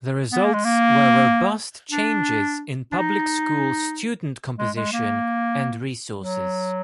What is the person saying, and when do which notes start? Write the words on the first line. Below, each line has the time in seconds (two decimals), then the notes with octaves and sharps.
The results were robust changes in public school student composition and resources.
0.32 B3
0.44 A#3
0.54 G#3
0.65 A#3
1.91 D4
2.92 D4
2.98 D#4
4.58 G#3
4.76 G#3
4.93 A#3
6.17 F#3